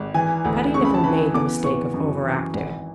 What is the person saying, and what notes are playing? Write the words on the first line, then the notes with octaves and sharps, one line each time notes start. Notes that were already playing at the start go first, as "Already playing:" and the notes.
Patty never made the mistake of over-acting.
Already playing: G#1
E3 G#5
D2
C#3 C#6
B5
A5
E3 B5
B3 D6
B3 C#6
F#2
E3
G#1